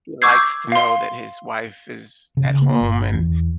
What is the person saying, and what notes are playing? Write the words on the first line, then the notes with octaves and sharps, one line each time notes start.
He likes to know that his wife is at home and,
C#6 D6 E6 G6 G#6 C7
F5 C6
C#3
A#3
G1
E2